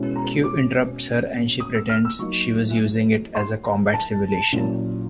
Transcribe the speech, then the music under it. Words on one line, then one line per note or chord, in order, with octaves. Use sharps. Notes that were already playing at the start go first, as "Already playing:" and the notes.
Q interrupts her, and she pretends she was using it as a combat simulation.
Already playing: B2 G#3 C#4 E4
A#5
D6
D#6
E6
F6
E6
F#3 A#3 D#4 C#6
C6
A#5
A5
A#2 F#3 A#3 C#4 E4